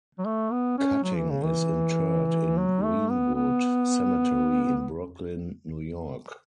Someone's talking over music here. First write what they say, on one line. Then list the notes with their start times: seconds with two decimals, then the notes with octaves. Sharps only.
Cutting is interred in Green-Wood Cemetery in Brooklyn, New York.
0.19 F#3
0.25 A3
0.52 B3
0.78 C#4
1.03 F#3
1.17 E3
1.30 C#3
1.43 E3
2.58 F#3
2.84 A3
3.10 B3
3.35 B3